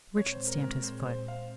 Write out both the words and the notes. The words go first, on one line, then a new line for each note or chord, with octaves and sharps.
Richard stamped his foot.
A#2 G#3 C4 C#5
C5
A#4
A#4
C5
C5
F5